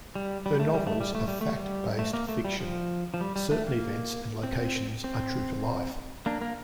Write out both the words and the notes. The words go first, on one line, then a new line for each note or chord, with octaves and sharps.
Her novels are "fact-based fiction"-certain events and locations are true to life.
G3
G3
A3
G3
A3
G3
A3
G3
A3
G3
A3
A#3
A3
G3
F3
F3
G3
G3
A3
A#3
C4
C4
A#3 D4
A#3